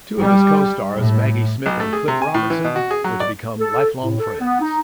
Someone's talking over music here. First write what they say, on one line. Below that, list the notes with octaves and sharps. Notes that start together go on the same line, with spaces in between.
Two of his co-stars, Maggie Smith and Cliff Robertson, were to become lifelong friends.
G3
A2
B1
A3
G#4
C3
G#5
A2
E3
B2
F#4
G#4
F#3
D5
A4
A2
A4
B3
D#4